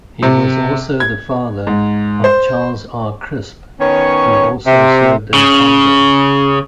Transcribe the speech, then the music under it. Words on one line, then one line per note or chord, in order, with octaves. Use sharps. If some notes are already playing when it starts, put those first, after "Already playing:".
He was also the father of Charles R. Crisp who also served in Congress.
C3
G#6
G#2
C5
D#3 B3 C#4 C#5
C3
C#3